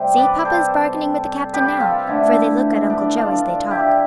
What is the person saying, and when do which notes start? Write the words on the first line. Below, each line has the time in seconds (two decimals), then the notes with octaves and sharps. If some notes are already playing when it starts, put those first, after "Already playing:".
"See papa is bargaining with the captain now, for they look at Uncle Joe as they talk."
Already playing: C3 G3 C4
0.17 B4 D5
0.45 A4 C5
1.53 G4 B4
1.80 F4 A4
2.07 D3 A3 D4 E4
2.90 D4
3.16 D4 F4
3.70 E4 G4